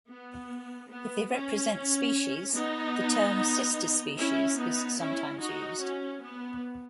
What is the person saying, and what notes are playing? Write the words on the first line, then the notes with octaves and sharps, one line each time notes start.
If they represent species, the term "sister species" is sometimes used.
B3
B3
C#4
B3 D#4
C#4 E4
B3 D#4
C#4 E4
D#4 F#4
C#4
B3